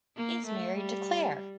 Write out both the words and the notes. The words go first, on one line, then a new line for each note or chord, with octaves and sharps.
He is married to Claire.
A#3
A3
G3